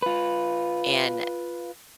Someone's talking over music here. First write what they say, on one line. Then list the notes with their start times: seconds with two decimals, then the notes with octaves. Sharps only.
And, eh,
0.02 F4 B4